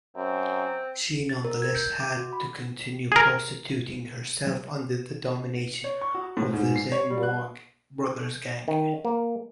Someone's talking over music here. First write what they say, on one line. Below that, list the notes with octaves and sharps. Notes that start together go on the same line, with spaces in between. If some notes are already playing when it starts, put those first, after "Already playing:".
She nonetheless had to continue prostituting herself under the domination of the Zenmour Brothers gang.
F#2 C4
A6
A#4
G#6
G6
D6
F#4
B5
G#4 A#4
C#5
C#6
F#4
A2
G#2
C7
C#5
G3
F#6
D#3
A#3